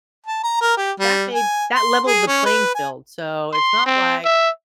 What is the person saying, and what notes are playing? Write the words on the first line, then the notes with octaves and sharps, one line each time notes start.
that made that leveled the playing field, so, it's not like
A5
A#5
A#4
G4
G3
G#5
C6
G#4
C#4
B4
G#5
C6
C4
E5